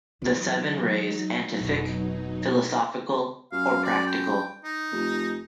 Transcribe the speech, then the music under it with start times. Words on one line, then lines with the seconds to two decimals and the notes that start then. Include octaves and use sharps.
The seven rays antific, philosophical, or practical.
0.22 E3 F#3 D#4
1.61 F1 B2 F4
3.52 F#2 F5
3.84 D5
4.07 G5
4.64 D#4
4.92 F1